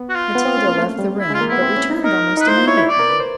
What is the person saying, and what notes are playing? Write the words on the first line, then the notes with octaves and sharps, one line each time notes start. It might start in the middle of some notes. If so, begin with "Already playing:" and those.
Matilda left the room, but returned almost immediately.
Already playing: B3
F#4
F4
B3
C4
C#4
A#3
A3
G3
E4
G#3
F4
A#3
B3 E4
C4
C#4
D#4
D#4 A#4
D#4 B4
E4 C5
F4
E4 C#5
E4
D5
A#4
B4
C5